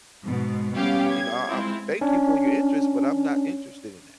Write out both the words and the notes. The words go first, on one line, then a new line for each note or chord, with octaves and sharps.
you know, I I thank you for your interest," but I'm not interested in that,
G#2 B2
G3 B3 C#4 G4 F5
G#6
G#3 C4 E4 F4
C#4 D4